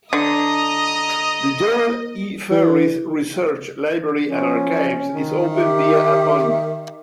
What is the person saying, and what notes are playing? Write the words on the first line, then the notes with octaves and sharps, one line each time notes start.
The Joel E. Ferris Research Library and Archives is open via appointment.
D3 D#5 A#5 D#6
E3
F3 C#4
D#3
G4 E5